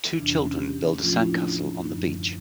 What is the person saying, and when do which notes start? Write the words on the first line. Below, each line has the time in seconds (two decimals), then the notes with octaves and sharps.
Two children build a sand castle on the beach.
0.17 E2 C3 E3 D4
0.37 C#4
0.58 G4
0.99 A2 F3 A3 C#4 F4
1.12 E4
1.25 D4
1.80 F#2 D3 F3 D#4